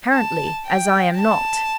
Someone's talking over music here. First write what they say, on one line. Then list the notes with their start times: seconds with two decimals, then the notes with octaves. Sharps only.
"Apparently--as I am not."
0.13 A5
0.66 G5
1.17 A5